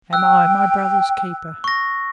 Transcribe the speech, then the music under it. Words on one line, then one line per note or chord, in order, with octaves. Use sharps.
"Am I my brother's keeper?"
G5 E6 F#6
C#6 A#6